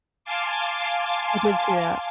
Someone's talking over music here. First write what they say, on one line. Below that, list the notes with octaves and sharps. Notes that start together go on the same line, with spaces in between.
I did see that.
F5 G#5 A5 C6 D6